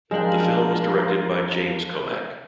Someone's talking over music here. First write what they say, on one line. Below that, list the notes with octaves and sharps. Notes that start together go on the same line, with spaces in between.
The film was directed by James Komack.
F3 G#3 D4 F4 A#4 G5